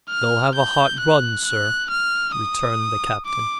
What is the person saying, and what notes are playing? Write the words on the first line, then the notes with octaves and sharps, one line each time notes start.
"They'll have a hot run, sir," returned the captain.
F6
G6
F#6
F#6
F6
D#6
D6